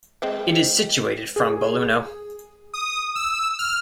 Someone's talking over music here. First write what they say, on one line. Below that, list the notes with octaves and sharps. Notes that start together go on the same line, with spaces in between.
It is situated from Belluno.
G#3 C4 G5
G#4
D#6
E6
F6